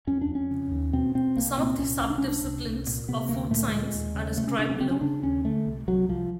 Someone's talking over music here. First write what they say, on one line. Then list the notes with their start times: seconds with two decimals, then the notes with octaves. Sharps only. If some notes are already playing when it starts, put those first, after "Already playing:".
Some of the subdisciplines of food science are described below.
0.07 F2 C#4
0.22 D4
0.29 F2
0.35 C#4
0.51 C#3
0.72 D#2
0.93 B2 C4
1.15 B2 C4
1.37 C2 A#3
1.57 A#2 C4
1.79 C2 C#4
2.01 C2
2.10 D4
2.18 C#4
2.22 C2
2.28 D4
2.44 C2
2.65 C2
2.86 A#2
3.08 C3 B3
3.29 D2 A#3
3.50 A#2 A3
3.68 A3
3.72 A#2 G#3
3.94 D#2
4.15 C#3
4.36 C3 A3
4.47 C#4
4.59 C3 D4
4.69 C#4
4.75 B3
4.80 C#3 C4
4.91 C#4
5.01 C#3 D4
5.22 D#2 C#4
5.44 D3 A3
5.66 C2
5.88 C2 F#3
6.08 C2 F3